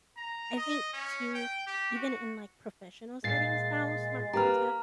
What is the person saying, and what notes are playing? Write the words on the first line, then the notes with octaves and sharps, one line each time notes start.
I think, too, even in, like, professional settings now, smartphones have,
A#5
D#5
C#4
G5
G4
F#4
A#2 G#3 A6 C7
A#3 G4 B4 A#5 F6